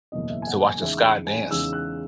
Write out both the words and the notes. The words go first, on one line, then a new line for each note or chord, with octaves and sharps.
so watch the sky dance,
F#1 E2 B2 D#5
E5
G#5
F#5
G#5
E2 C#3 G#3 D#4 E5
G#5
E2 C#3 G#3 D#4 E6
F#6